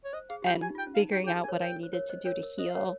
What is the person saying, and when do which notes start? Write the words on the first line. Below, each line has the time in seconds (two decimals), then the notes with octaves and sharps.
and figuring out what I needed to do to heal.
0.05 C#5
0.13 C5 D#5
0.30 G#4 F5
0.42 G4
0.46 F4 G5
0.62 G4 G#5
0.69 D#4
0.75 F4 G5
0.87 C#4
0.95 F5
0.99 D#4
1.12 G4 G5
1.24 G#4 G5
1.37 A#4
1.44 G#5
1.48 A#4 C#5
1.61 A#4 G5
1.83 C5
1.93 A#4 C#5
2.09 C5 D#5
2.25 A#4 C#5 G5
2.43 A#4
2.58 C5 D#5
2.70 A#4 C#5 F5